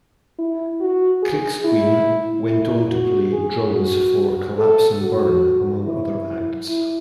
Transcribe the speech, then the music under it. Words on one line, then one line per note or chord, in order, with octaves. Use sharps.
Kriksciun went on to play drums for Collapse and Burn, among other acts.
E4
F#4
G#4
E4
E4
F#4
G#4
F#4
A4
F#4
E4
E4